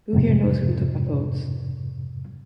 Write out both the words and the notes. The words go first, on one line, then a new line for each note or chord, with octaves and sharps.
Who Here Knows Who Took My Clothes?
F2 G#2 C3